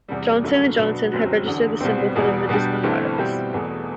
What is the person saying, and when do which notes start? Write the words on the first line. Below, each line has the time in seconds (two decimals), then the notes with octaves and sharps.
Johnson and Johnson had registered the symbol for their medicinal products.
0.08 E1 E2 C3 G3
0.44 G1 F#2 D3 F#3 A3
0.78 B2 F#3 B3 D4
1.11 G1 F#2 F#3 C4 F#4
1.46 E1 E2 D3
1.80 C2 B2 G3 C4
2.15 E1 E2 B2 G3
2.49 B2 G3 D4 G4
2.83 G1 G2 E3 A3 C4
3.17 B2 G3 C4 E4 G4
3.53 E1 E2 B2 A3